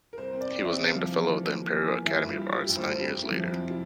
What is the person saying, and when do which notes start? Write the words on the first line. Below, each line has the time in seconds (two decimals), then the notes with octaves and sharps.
He was named a fellow of the Imperial Academy of Arts nine years later.
0.13 A#4
0.17 C2 C5
0.33 C4
0.41 D5
0.49 C4
0.64 C4 E5
0.81 C2
0.88 F5
0.96 F3
1.12 E3
1.28 E3
1.43 A#3
1.59 E3
1.75 E2
1.90 A#3
2.06 E3 E5
2.21 G2
2.29 F4
2.37 G3
2.52 G3 F4
2.64 G4
2.68 A1
2.76 C5
2.84 G3 A4
2.99 F2 G4
3.15 F2
3.23 E4
3.31 F3
3.46 F2 F4
3.63 C3
3.70 E4